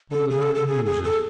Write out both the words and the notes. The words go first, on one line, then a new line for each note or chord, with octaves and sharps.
One of the nine Muses.
A4
G#4
A4
A4
G#4
G#4
A4